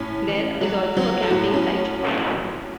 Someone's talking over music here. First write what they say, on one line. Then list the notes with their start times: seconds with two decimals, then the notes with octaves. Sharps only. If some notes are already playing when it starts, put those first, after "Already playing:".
There is also a camping site.
Already playing: A2 C#4
0.28 E3
0.61 F#3
0.97 F#3
1.23 A4
1.31 A2 F#4
1.54 C#4